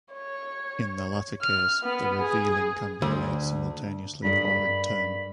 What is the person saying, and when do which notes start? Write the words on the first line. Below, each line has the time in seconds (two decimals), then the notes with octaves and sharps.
In the latter case, the revealing can be made simultaneously or in turn.
0.13 C#5
1.42 F6
1.84 B3
2.22 G#4
3.02 D2
4.24 G2 G#4 A#4 B5